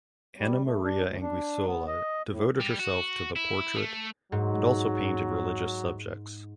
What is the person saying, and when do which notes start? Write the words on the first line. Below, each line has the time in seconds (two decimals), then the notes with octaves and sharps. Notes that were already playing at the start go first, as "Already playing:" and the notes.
Anna Maria Anguissola devoted herself to the portrait and also painted religious subjects.
0.39 G3
0.65 A3
0.84 D4
1.05 D2
1.22 D4
1.67 B3
1.88 D#5
2.30 A2
2.60 G3
2.79 F#4
3.36 E4
3.76 A3
4.32 G#2 F#3